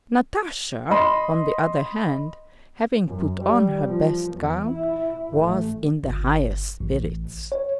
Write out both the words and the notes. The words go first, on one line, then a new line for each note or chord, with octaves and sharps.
Natasha, on the other hand, having put on her best gown, was in the highest spirits.
D#5 B5 C6
F#2
G3
F3
E2
E4
A1 A3
G1
A1
C#5